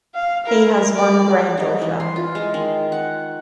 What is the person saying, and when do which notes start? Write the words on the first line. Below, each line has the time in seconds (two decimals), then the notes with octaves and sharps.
He has one granddaughter.
0.15 F5
0.46 E4 A#4
0.96 D5
1.57 D#4
1.82 E3
2.00 C6
2.16 F4
2.35 G#3
2.54 D#3
2.92 F#5